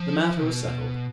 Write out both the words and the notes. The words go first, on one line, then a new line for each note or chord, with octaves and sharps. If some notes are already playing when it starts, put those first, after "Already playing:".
The matter was settled.
Already playing: F3
B2